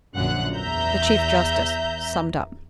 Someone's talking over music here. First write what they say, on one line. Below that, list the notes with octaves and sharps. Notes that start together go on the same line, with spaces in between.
The chief-justice summed up.
A#1 F#2 D3 F3 F#5 F#6
E2 E5 A#5 G6